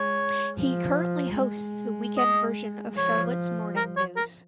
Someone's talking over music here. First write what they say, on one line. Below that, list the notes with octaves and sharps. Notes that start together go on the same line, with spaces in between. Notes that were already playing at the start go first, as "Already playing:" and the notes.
He currently hosts the weekend version of "Charlotte's Morning News".
Already playing: G#3 C#5
F3
G#3
D#5
F3 C#5
A#4
C#5
A#4